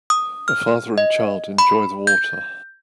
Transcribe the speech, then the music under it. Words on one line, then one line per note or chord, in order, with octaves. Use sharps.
A father and child enjoy the water.
D#6
F6
D#5
B5
G6